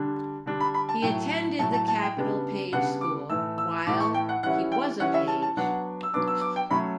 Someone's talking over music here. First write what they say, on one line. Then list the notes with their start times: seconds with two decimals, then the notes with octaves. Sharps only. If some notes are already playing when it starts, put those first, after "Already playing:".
He attended the Capitol Page School while he was a Page.
Already playing: D3 G3 D4
0.46 D3 G3 D4
0.60 B5
0.74 B5
0.89 A5
1.02 A2 F#3 A3 G5
1.59 A2 F#3 A3 A5
1.73 A5
1.88 A5
2.02 G5
2.17 C#3 G3 B3 D4
2.73 C#3 G3 B3 D4 F#5
3.01 D6
3.30 A2 E3 A3 E6
3.58 E6
3.87 A2 E3 A3 D6
4.00 C#6
4.14 G5
4.29 F#5
4.43 E3 G3 C#4 E4 F#5
4.72 G5
5.00 E3 G3 C#4 E4 F#5
5.14 E5
5.28 A5
5.42 A5
5.57 F#3 B3 D4 F#5
6.03 E6
6.13 F#3 B3 D4 D6
6.27 E6
6.41 D6
6.56 G5
6.70 F#3 A3 C#4 B5